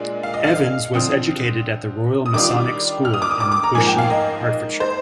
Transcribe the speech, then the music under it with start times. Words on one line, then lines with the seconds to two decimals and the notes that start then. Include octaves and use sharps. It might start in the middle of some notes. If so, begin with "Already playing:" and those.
Evans was educated at the Royal Masonic School in Bushey, Hertfordshire.
Already playing: A#2 G#3 D4
0.23 F5
0.34 D#5
0.44 F5
0.94 D3 F3 C4 F4 D#6
2.26 D#6
2.34 D#3 G3 D4 F4 D6
3.05 F6
3.14 D#6
3.22 D6
3.31 D#6
3.40 D6
3.52 D6
3.63 A#5
3.75 G#2 F3 A#3 G#5
3.87 G5
3.98 F5
4.10 D#5
4.80 C5